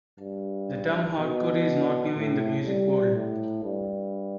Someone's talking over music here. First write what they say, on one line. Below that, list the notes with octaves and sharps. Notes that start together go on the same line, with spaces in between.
The term hardcore is not new in the music world.
G2
B2
A2
G3
A2
G2